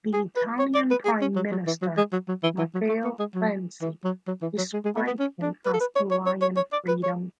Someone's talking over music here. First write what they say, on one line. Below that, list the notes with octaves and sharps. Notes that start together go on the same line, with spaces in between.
The Italian Prime Minister Matteo Renzi described him as a "lion of freedom".
G#4
B4
C#5
D5
B4
G#4
C#4
F#3
F#3
E3
F#3
G#3
F#3
F#3
E3
E3
F#3
A3
B3
G#3
F#3
E3
F#3
F#3
E3
F#3
G#3
G#3
A3
B3
C#4
D4
B4
A4
B4
C#5
C#5
C#5
C#5
C#5
D5
B4
C#5